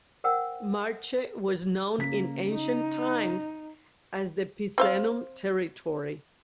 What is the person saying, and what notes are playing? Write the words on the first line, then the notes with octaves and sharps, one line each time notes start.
Marche was known in ancient times as the Picenum territory.
A#4 C5 F#5 G5 E6
C#3 A#3 B6
D#4
C4 C5 F5